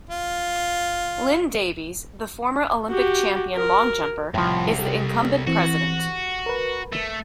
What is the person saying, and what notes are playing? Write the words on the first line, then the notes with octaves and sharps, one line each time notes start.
Lynn Davies, the former Olympic champion long jumper, is the incumbent president.
F4
F#4 G4
A#4
C2 F#2 A2 F3
G4 A4
E3 C4 F#4
A#4 B4
A3